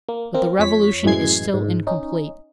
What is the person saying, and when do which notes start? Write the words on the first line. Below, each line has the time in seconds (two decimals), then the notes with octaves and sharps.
But the revolution is still incomplete.
0.09 A#3
0.34 A#3 C4 A#4
0.59 F2 C#5 B6
1.04 F#2 A2 E3 G#3 G#6 C7
1.54 G#2
1.87 C#4 D#4